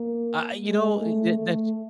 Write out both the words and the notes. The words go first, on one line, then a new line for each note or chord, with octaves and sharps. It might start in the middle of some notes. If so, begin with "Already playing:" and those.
I I you know, i ye that ch
Already playing: A#3
G#3
A3
A3